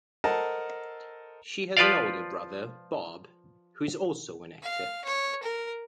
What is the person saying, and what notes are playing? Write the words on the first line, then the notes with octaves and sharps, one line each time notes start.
She has an older brother, Bob, who is also an actor.
A4 A#4 C5 D#5 F#5 A5
F3 F4 B4 C5 D5 F5
F5
C#5
A#4